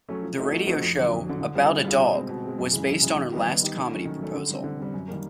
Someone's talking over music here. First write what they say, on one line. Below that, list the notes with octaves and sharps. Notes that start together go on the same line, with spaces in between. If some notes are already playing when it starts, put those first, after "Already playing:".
The radio show "About a Dog" was based on her last comedy proposal.
F#3 A3 C#4
F3
A3 C4 D#4 F#4
F3
A3 C4 D#4 F#4
F2
D3 F#3
F2
D3 F#3
D3
G3 C4 F4 G#4
D3
G3 C4 F4 G#4
B2
G#3 C4
B2
G#3 C4
F#2
C#3 E3 G#3
F#2
C#3 E3 G#3
D#3
G3 B3 D#4 G4
D#3
G3 B3 D#4 G4
D#3
F#3 A3 C#4
D#3
F#3 A3 C#4
D3
G3 C4
D3
G3 C4
F#2
D#3 G3 A#3